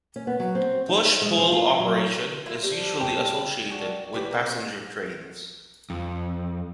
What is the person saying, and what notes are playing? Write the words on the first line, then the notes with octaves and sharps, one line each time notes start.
Push-pull operation is usually associated with passenger trains.
C#4
B3
F#3
C4
D#4
G#3
F3
F4
F#3
A#3 E4 F4
G3 A3 C4
G5
D4 F#4 G#4
A2 E3 G4
A#3 C4 G5
F2